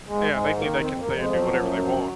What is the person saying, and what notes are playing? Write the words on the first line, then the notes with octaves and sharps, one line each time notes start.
Yeah, they think they can say and do whatever they want.
G#2 G#3
G#2 G#3
D#3 A#3
F2 C4
A#3
F2
G#3
F3
F#3
F#2
F3